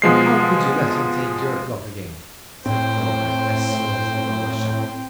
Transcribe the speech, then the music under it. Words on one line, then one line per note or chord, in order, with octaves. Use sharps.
"How could you let him take your clock again?" said Clover, as soon as the door was shut.
B2 F3 G#3 C7
A2 C4 C5 G5